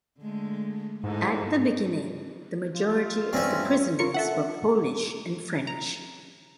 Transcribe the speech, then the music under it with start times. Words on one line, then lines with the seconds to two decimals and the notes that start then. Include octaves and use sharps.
At the beginning, the majority of the prisoners were Polish and French.
0.20 D3 G#3 A3
1.04 G#2 D#4 E4 A4
2.76 F4
3.33 G2 C4 C#4 E5
3.99 F4 A#4 C#6 C#7
4.14 A4 E5 F#5
5.67 A#5